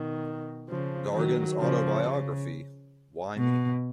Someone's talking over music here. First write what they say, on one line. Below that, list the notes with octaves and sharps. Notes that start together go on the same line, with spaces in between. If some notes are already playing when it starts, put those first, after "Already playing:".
Gargan's autobiography, Why Me?
Already playing: B2 D#3
C#3 F3
D#3 F#3
C#3 F3
C#3
B2